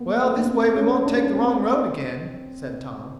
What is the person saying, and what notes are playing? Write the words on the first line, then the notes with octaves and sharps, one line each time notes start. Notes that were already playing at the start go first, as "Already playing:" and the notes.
"Well, this way we won't take the wrong road again," said Tom.
Already playing: A#3 B3
A3
A#3
B3
C4
C#4
D4
C#4
D4
C4